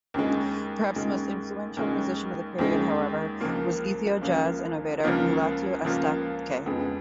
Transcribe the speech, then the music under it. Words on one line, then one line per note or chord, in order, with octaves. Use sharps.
Perhaps the most influential musician of the period, however, was Ethio-jazz innovator Mulatu Astatke.
D#2 C#3 G#3
D#2 C#3 G#3
D#2 C#3 G#3
D#2 C#3 G#3
C#2 C#3 F3 A#3 F4
C#2 C#3 F3 A#3 F4
C#2 C#3 F3 A#3 F4
C#2 C#3 F3 A#3 F4
F2 C#3 G#3 B3